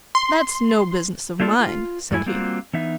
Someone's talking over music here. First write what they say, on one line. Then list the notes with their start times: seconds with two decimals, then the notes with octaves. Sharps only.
"That's no business of mine," said he.
0.15 C6
1.40 A3 A#3 D4 F4 F#4 A4
1.60 F4
2.11 E2 G2 A3 E4 G#5
2.26 G3 A#3 C4 F4 F#4
2.73 E3 B3 D#4 E5